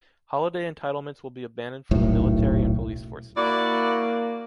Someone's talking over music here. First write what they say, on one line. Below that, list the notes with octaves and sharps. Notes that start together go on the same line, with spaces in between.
Holiday entitlements will be abandoned for the military and police forces.
D#1 B1 A2
A#3 E4 F#4 D5